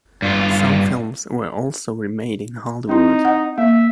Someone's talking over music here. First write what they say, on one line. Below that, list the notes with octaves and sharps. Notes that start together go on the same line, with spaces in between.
Some films were also re-made in Hollywood.
G2 F4
C4 D#4 E4
D#5 F#5
A#3 E5